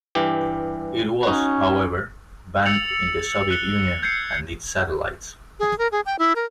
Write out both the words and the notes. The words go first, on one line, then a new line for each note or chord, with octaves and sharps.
It was, however, banned in the Soviet Union and its satellites.
G2 E3 G4
C#4 D#4 F#4
E6 A6 C#7 F7 F#7
F#6 C#7 G7
G6 G#6 C7 C#7
G#4
A#4
G#4
G5
E4
A#4